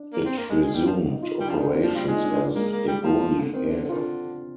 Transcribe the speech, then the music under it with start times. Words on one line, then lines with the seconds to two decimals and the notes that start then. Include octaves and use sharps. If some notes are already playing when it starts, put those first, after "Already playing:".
It resumed operations as Egoli Air.
Already playing: D4
0.13 A#3
0.26 C4
0.38 A#3
0.50 G#3
0.62 G#3
0.74 G3
0.86 F3
1.10 D#4
1.22 F4
1.40 G3
1.47 F3 D4
1.58 D#3 D4
1.71 C4
1.82 F3 A#3
1.95 G3 F4
2.07 G#3 D#4
2.23 D4
2.55 G#3 A#3
2.72 A#3
2.88 G3
3.04 F3 A#3
3.40 D3
3.53 D#3 C4
3.65 D4
3.69 D3
3.78 D4
3.85 D3
3.89 D#3 F4
4.00 D3